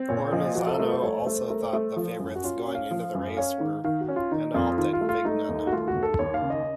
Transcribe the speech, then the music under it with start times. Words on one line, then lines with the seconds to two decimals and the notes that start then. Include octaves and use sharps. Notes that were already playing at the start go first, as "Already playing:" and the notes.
Ormezzano also thought the favorites going into the race were Hinault and Fignon.
Already playing: C4
0.09 A#2 C#5
0.32 F3 D#5
0.55 F3 F#4
0.67 A4
0.78 A3 A#4
0.90 C5
1.03 A3 C#5
1.18 C5
1.27 A3
1.35 C5
1.47 A3 A#4
1.60 C5
1.73 A3
1.96 F3
2.19 F#2
2.35 F#4
2.44 C#4 F4
2.59 F#4
2.67 C#4
2.75 F5
2.91 F3
3.15 F#2
3.37 C#4 F5
3.60 D#3
3.84 D#3 F5
4.01 F#4
4.08 C#4
4.16 F4
4.31 D#3 D#4
4.54 F2 F4
4.78 D#3 F4
4.93 F4
5.01 A3
5.09 F4
5.25 A3 D#4
5.49 D#2
5.67 F#4
5.72 A3 F4
5.88 F#4
5.95 D#2
6.03 A4
6.19 D#2 C#5
6.34 F5
6.42 C#3
6.50 D#5